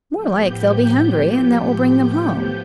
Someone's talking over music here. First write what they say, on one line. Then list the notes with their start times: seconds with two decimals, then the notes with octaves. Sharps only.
More like they'll be hungry, and that will bring them home.
0.12 A2 F3 B3 G4 G6